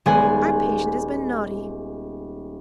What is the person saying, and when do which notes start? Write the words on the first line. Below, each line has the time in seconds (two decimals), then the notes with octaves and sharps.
'Our patient has been naughty!
0.06 D#1 G#3 B3 F#5 G#5